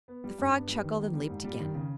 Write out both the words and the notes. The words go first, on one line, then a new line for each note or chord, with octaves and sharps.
The frog chuckled and leaped again.
B3
G3
G2
B3
G3
D#3
A#3
G3
G#2
G3
D#3
C#3